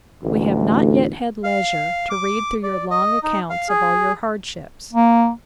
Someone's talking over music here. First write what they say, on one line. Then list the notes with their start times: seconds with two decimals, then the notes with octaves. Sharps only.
We have not yet had leisure to read through your long accounts of all your hardships.
0.23 A1 D2
1.44 F5
2.10 D6
2.63 D5
2.91 D#5
3.23 D#4
3.50 F5
3.69 G#4
4.93 A#3